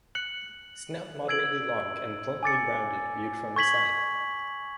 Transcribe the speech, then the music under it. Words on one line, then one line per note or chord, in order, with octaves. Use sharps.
Snout moderately long and bluntly rounded viewed from the side.
F#6 C#7 F#7
E6 G#6 D7 F#7
G#5 D6 A6 C#7
C#6 G#6 B6 F#7